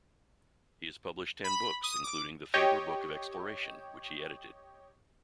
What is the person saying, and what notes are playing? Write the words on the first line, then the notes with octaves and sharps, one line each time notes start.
He has published ten books, including the "Faber Book of Exploration", which he edited.
B5
D#6
D6
G4 C#5 D#5 G5